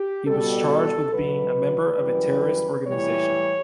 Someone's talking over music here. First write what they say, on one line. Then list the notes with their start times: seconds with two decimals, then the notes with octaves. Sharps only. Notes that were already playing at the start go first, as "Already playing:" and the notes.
He was charged with being a member of a terrorist organisation.
Already playing: G4
0.26 B2 G3 A4
1.13 B2 F#3 B4
2.00 F#2 E3 G3
2.87 A2 E3 G3 C#5